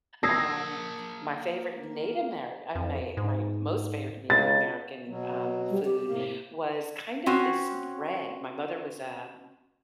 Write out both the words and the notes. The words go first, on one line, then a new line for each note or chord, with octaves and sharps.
Um, my favorite Native Amer uh, may my most favorite Native American, um, food was kind of this bread my mother was, um,
A#3 A5 D#6 E6 G#6 A#6 C7
F2
G#2
C#2 A6
B2 F#3
G3
G4
A2 C3 A#3
C4 C#4 F#4